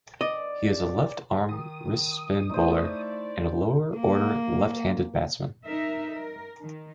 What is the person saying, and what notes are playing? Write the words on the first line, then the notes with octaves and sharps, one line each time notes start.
He is a left-arm wrist spin bowler, and a lower-order left-handed batsman.
D5 D#5
D#3 D#6
A3 D#4 E4 C5 D5
A#3
D#4 A#4 E5
A#4
D#3